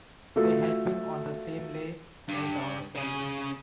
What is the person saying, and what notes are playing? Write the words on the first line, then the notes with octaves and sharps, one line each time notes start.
They had been on the same lay as ourselves.
A3 F4 F#4 A4
G2
C#3 G#4